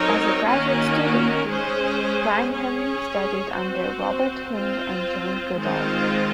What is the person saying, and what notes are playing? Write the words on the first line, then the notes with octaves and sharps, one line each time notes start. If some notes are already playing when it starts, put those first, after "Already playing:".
As a graduate student, Wrangham studied under Robert Hinde and Jane Goodall.
Already playing: F#3 C4 D#4 A#4 C#5
D#3 A#3 C#4 F#4 A#4
G#3 C#4 G#4 C5
C#4 G#4 C#5
C4 F#4 C5
C4 F4 C5
D#3 G#3 C4 F4 C5